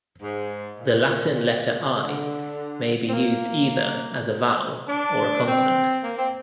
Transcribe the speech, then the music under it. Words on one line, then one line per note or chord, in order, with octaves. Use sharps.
The Latin letter "i" may be used either as a vowel or a consonant.
G#2
A#2
D3
C4
A#3
D4
C4
A#3
C4